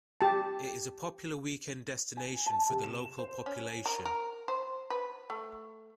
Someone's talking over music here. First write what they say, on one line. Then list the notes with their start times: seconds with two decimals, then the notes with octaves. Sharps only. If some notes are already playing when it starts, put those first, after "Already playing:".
It is a popular weekend destination for the local population.
0.21 G4 A5
2.17 G#5
2.46 A5
2.69 C3
2.84 E7
3.19 C5
3.46 C#4
3.86 A#4
4.05 A#4
4.48 C5
4.90 B4
5.30 A3